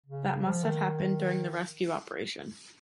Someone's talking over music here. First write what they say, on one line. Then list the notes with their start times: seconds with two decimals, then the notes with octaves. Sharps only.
That must have happened during the rescue operation.
0.06 C#3
0.45 F3
0.64 D#3